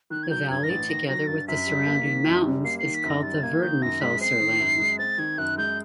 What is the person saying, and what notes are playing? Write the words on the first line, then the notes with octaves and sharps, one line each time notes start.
The valley together with the surrounding mountains is called the Werdenfelser Land.
D#3 F#6
G#6
F#3 G6
G2 G#6
A#6
A1 A6
D#3 A#6
F#3 A#6
G2 A6
F#2 B6
G3
A#3
D#3
F#2
G3
A#3 C7
C7
D#3
B6
F#2 A#6
G3 A6
A#3 G#6
D#3 G6
F#2 A#6
G#3 B6
C4 C7
D#3
F#2
G#3
C4 A6
D#3 G#6
F#2 F#6
G#3 G6